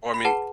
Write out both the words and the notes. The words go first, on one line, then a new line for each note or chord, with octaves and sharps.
well I mean,
B5
G#4 B4 F#5 A5